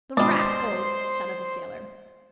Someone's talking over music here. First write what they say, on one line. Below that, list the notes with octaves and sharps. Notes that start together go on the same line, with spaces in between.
"The rascals!" shouted the sailor.
G#2 B2 F3 G3 C5 D5 C6 D#6